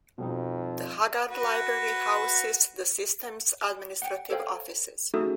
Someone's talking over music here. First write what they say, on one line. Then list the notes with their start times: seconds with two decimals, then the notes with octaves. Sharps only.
The Haggard Library houses the system's administrative offices.
0.18 F2 B2 G3 D#4
1.31 F#4 B4
4.02 F#5 G5
4.30 A4 C5 C#5 F5 G5
5.14 A3 C#4 D#4 F#4 G#4 A4